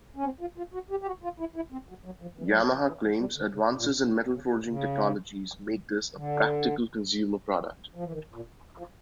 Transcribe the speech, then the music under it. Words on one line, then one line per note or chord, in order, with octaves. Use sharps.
Yamaha claims advances in metal forging technologies make this a practical consumer product.
C#4
C4
F4
F4
F#4
G4
G4
F#4
F4
E4
E4
C4
F#3
F#3
F3
E3
G3
F#3
F3
E3
F3
G3
D3
C#3
C3
A#2
B2
B2
B2
C#3
B2
C3
C#3
D3
F3
E3
D#3
A#2
F3